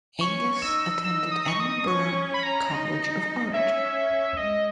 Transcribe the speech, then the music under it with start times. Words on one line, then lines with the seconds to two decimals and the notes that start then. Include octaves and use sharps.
Angus attended Edinburgh College of Art.
0.20 C#4 C#6
0.62 D#4 E6
1.04 D#4 E6
1.32 D#6
1.48 C#6
1.60 D#6
1.87 C#4 C#6
2.34 B5
2.43 A#5
2.71 D#4
3.54 C#4 E5
4.37 G#3 D#5